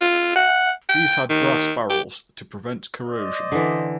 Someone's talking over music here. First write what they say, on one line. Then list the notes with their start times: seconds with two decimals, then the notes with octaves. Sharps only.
These had brass barrels to prevent corrosion.
0.01 F4
0.36 F#5
0.89 G5
1.30 D#3
1.90 G4
3.05 C5 D5 D#5
3.52 D3 E3